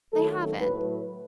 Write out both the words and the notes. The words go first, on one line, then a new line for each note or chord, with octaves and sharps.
They haven't.
D#3 F#3 A3 A4
A2 F#3 A3 B4